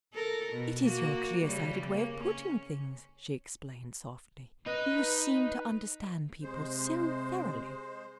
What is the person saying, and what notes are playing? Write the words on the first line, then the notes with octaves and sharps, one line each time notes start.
"It is your clear-sighted way of putting things," she explained softly. "You seem to understand people so thoroughly."
A4 A#4
B2
A#3 F#4
C#3 G3
A#3
C#4
D#4 B4
C3 G#3 C5